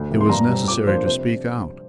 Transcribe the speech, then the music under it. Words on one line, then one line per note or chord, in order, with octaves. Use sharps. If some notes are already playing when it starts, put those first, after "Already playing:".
It was necessary to speak out.
Already playing: D2
C3 F3 A#3
C6
G2 A#5
G3 C4
A#2 D6
F3 A#3 D4 C5
C3 C5